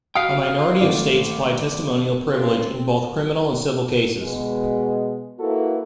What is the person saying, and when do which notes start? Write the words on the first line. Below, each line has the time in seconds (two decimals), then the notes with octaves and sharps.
A minority of states apply testimonial privilege in both criminal and civil cases.
0.15 F#4 F5 G5 D#6 F6
0.80 G#1 D#3 A3 D5
2.29 C4 C#4 F4 A4 B4
2.69 C4
4.22 B2 G#3
5.40 A#3 E4 F#4 A4 B4